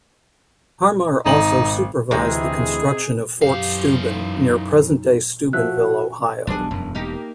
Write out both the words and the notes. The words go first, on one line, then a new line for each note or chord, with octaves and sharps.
Harmar also supervised the construction of Fort Steuben near present-day Steubenville, Ohio.
G#1 D#4 F#7
D2 C3 E3 G#3 D#4 G#4
F#2 E3 G4 F5
D#4
F3 F#4 E5 F#6
E1 B1 G3 D4 G#4
E1 F#2
A#3 D#4 G4